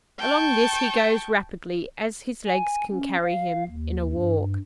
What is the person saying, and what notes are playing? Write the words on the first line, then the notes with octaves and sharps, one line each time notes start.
Along this he goes rapidly as his legs can carry him--in a walk.
G5 A5 C#6
G#5
C#4
F5
D#2
G2